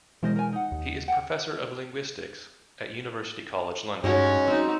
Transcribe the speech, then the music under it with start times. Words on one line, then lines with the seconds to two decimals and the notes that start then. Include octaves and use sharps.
He is Professor of Linguistics at University College London.
0.23 B2 E3 G#3 A#4 C5 D#5
0.36 A#4 G#5
0.52 D#4 F#5
0.72 D#2
1.08 F#5 G5
4.04 G2 G#3 C#4 D#4 F#4 C#5
4.47 F#3 C4 D#4 F#4